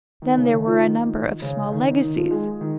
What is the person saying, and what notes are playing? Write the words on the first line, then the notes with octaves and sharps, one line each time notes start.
Then there were a number of small legacies.
D#3
C#3
D#3
F3
D#3
C#3
D#3
D#3
F3
G#3
D#3